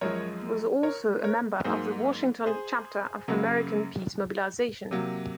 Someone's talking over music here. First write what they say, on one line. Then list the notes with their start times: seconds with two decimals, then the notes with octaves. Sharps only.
He was also a member of the Washington Chapter of American Peace Mobilization.
0.01 F#2 F3 G#3 A#4 C#5
0.83 A#4 C#5
1.24 A#4 C#5
1.64 G#2 F#3 A#3 G#4 C5
2.46 G#4 C5
3.28 F#2 C#3 F#3 A#3
4.91 C3 F#3 A#3